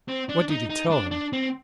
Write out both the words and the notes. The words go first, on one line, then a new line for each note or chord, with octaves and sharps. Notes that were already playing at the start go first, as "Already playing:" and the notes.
"What did you tell him?"
C4
D4
D#4
D#4
D4
D4
C4